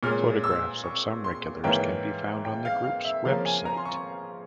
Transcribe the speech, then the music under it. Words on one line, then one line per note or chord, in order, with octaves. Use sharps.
Photographs of some regulars can be found on the group's web site.
A#2 G#3 C#4 F6
E6
C#6
C6
G#2 E3 A#3 C#4 G5
G5
F5
F5
E5
C#3 F3 A#3 C#4 F5
G#5
A#5
C6
C#6